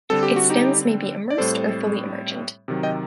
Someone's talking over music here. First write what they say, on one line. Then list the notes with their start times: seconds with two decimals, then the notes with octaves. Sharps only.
Its stems may be immersed or fully emergent.
0.10 D3 G3 C4 A4
0.23 G4
0.36 F#4
0.50 D#4 G4
1.30 D5
1.38 A2 G3 C4 A4 C5
2.68 C3 D#3 F#3
2.83 D#5 G5